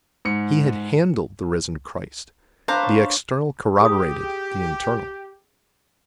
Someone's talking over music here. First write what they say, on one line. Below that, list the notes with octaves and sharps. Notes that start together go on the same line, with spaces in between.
He had handled the Risen Christ, the external corroborated the internal.
G#2 C#7
D4 C5 F5 A#5 B5
C#5
G4 G#4 D#6